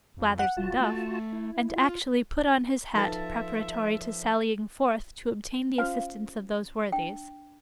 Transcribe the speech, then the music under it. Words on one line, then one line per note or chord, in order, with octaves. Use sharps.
Blathers and Duff; and actually put on his hat preparatory to sallying forth to obtain the assistance of those worthies.
F2
F#5
E1 F4 F#4 A5
A3
E4
F4
F3 D#4 A4 B4 E5 A5 A6
C#4 F4 C5 F5
D4 G5